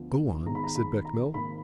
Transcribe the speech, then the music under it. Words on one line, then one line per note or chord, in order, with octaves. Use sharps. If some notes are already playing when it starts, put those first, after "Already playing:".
"Go on," said Bechamel.
Already playing: D2 D3 F3 B3
G#1 G#2 D#3 G#3 B3 A#5
B5
A#5
B5
A#5
G#1 G#2 D#3 A#3 B5